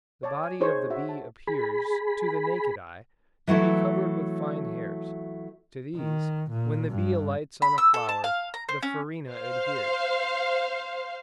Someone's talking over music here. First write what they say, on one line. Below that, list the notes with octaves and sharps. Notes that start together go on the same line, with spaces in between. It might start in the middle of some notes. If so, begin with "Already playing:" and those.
The body of the bee appears, to the naked eye, to be covered with fine hairs; to these, when the bee alights on a flower, the farina adheres.
C#5 D5 A5
G#5
D#4 G#4 C5 C#5
F#4 E5 F#5
A5
G#4 B5
E3 F#3 A3 E4
D#3
A#2
G2
B5
E6
A4
A5
F5
A#5
C5
C#4
C5 F5